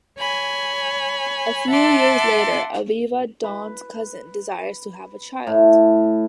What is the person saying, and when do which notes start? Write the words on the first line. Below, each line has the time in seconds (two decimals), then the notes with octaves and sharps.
A few years later, Aviva, Dawn's cousin, desires to have a child.
0.17 C#5 G#5 B5
1.69 E5 F#5 A5 C6 D6
3.44 B4
5.47 A2